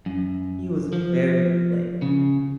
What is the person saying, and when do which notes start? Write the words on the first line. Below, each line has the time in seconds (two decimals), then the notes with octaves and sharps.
he was very, like,
0.06 F#2
0.93 F3
2.02 C#3